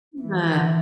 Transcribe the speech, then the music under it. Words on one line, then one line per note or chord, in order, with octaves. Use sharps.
Mm, ah.
E3